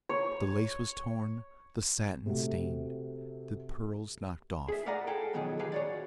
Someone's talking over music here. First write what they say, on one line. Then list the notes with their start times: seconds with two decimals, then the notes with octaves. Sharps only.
The lace was torn, the satin stained, the pearls knocked off!
0.09 C#5
2.26 C3 A3 F#4
4.68 G#4 E5
4.86 A#4 D5 F5 F#5 G#5 A#5
5.07 G#4 A4 G5
5.33 F2 B2 D#3 F#3 G#4
5.59 F#3 G4 G#4 B4 F5
5.72 F#4 C#5 D5